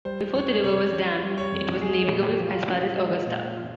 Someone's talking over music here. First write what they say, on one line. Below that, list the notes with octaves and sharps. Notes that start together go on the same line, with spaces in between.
Before the river was dammed, it was navigable as far as Augusta.
G3 C5
F2 C#5
C3 C#5
C#4 C#5
G3
C#5
F2
G#3 G#4
C#5
A#2
G4
F3
F4
C#4
G#3
A#2
F4